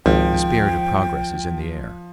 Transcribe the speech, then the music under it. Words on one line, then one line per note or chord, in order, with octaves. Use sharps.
The spirit of progress is in the air.
G#1 C#2 F3 G5